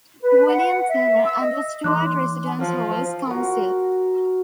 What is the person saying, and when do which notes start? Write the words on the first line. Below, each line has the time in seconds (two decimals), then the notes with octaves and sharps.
William Turner and the Stuart Residence Halls Council.
0.21 B4
0.48 F#5
0.88 E5
1.25 E6
1.41 D#5
1.84 E3 D#4 C6 D6 F#6
2.60 F3
3.27 F#4 A#4